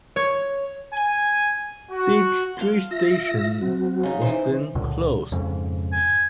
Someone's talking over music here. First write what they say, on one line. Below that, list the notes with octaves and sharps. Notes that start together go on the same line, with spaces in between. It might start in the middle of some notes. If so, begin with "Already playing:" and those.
Bridge Street station was then closed.
C#5
G#5
F#4
F5 A5 C6
F4 E5 A#6
F#3 C4 F#4
C#3 D#4
E3 D#4 C5
C#2 A#2 D3
F2 G#2 C#3
G#5